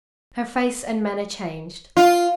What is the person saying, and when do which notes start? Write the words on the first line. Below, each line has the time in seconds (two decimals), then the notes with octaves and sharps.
Her face and manner changed.
1.97 F4